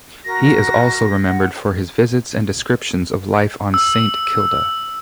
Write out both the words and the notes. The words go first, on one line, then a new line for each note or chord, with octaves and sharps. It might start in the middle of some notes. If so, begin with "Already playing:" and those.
He is also remembered for his visits and descriptions of life on St Kilda.
F#4 A#4 A#6
F#5
E6